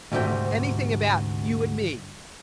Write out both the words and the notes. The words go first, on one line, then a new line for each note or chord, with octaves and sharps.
"Anything about you and me?"
D2 G#2 C3 E5 G5